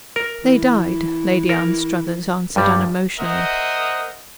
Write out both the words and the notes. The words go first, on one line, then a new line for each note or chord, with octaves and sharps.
"They died," Lady Anstruthers answered unemotionally.
A#4
E3
A#4
G2 G3
A#4 C5 D#5 E5 F#5 D#6